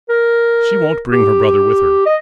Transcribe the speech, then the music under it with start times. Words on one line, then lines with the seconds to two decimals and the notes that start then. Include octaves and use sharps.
"She won't bring her brother with her."
0.09 A#4
1.12 G4
2.06 D#5